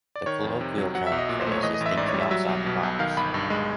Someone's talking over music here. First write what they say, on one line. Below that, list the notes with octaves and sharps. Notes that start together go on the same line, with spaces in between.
The colloquial term for this is thinking outside the box.
D5
D#3 C#5
F2
C3
F#3
F#3 F#5
E5
B1
D#5
A#2
C5
A3 C#5
E3 D#5
D#5
A1
E5
G#2 D5
C#5
G3
E5
F#3 E5
B1
B2
B1
D#3 F5
G1 B5
G2
G#3